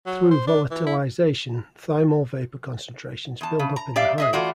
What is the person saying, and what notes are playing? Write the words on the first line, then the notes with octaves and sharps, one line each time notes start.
Through voltilisation, thymol vapour concentrations build up in the hive.
F#3
C5
D4
E3
E4
E2 A5
C#3
A#5
G4 D5 E5 F5
G#4 D#5 E5
E3 A3 F4 F#4 D5